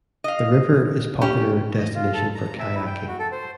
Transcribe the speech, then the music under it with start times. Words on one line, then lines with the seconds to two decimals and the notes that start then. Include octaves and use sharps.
The river is popular destination for kayaking.
0.24 D#5 F5
1.21 C#4 G4
1.78 D#5
1.95 F4
2.13 A4
2.35 A#5
2.59 E5
2.75 E4
2.87 G5
3.08 F#4
3.19 A4
3.32 C5